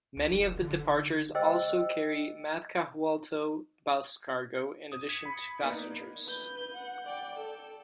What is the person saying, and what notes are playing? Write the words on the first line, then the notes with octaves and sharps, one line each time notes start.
Many of the departures also carry Matkahuolto bus cargo in addition to passengers.
C#2
F1
D3
G4 C5 D#5 G5 E6
D#6
G#6 B6 C#7
B5
A#3 B3 D#4 D5
B4 G6
F#5
D5 G5
A4